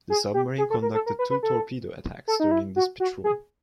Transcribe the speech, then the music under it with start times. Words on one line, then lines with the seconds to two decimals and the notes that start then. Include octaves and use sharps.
The submarine conducted two torpedo attacks during this patrol.
0.10 G#4
0.34 G4
0.58 G#4
0.70 A4
0.82 A#4
0.94 A4
1.06 A#4
1.19 B4
1.30 B4
1.43 A4
2.28 A4
2.40 D#4
2.51 E4
2.76 F#4
3.00 F#4
3.24 G#4